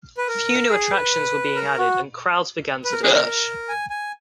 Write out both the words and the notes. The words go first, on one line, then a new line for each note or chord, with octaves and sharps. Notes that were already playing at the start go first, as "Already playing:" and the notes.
Few new attractions were being added, and crowds began to diminish.
B4
A#4
G#4
B4
A#4
F#4
B4
A#4
G#4
A#4
G#5
G#5